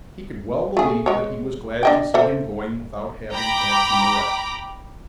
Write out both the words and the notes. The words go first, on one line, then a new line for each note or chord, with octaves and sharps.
He could well believe that he was glad to see him going without having had him arrested.
A3 G#4
G#3 C#5
D4 D#5 G5
A4 C5 E5
G5 A#5 B5 D6